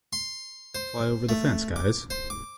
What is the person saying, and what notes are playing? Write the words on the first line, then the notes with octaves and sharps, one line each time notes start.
Fly over the fence guys!
C6
C5
A3
D6
C5
D6